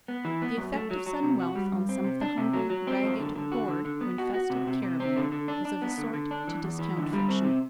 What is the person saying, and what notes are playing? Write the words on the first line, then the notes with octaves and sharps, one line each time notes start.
The effect of sudden wealth on some of the hungry, ragged horde who infested Cariboo was of a sort to discount fiction.
B3
E3
B3
F#2
A3
F#3
F#3
C3
F#4
G3
G2
C4
C3
D4
C3
F#3
F#3
C4
F#2
D3
D3
F#4
D3
D3
B3
F#4
F#4
C3
C3
C3
C4
D3
D3
D4
D4
B3
D3
D3
D4
E3
E2
E3
D3
G3
C4
C3